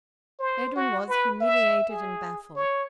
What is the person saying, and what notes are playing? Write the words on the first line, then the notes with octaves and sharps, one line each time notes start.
Edwin was humiliated and baffled.
C5
F#4
B4
E5
G#4
C#5